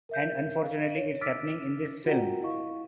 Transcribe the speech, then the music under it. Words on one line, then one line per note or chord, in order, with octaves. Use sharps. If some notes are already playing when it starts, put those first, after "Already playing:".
And unfortunately it's happening in this film.
A#4 E5 G6
F5
C#5
D6 E6 F6 A6 B6 D7
F4 F#4 A#4 F#5 G5 A#5
E4 D#5 F5 C#6